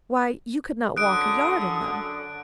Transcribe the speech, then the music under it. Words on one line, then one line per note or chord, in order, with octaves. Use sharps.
'Why, you could not walk a yard in them!'
F#2 D3 D#6 F#6 D7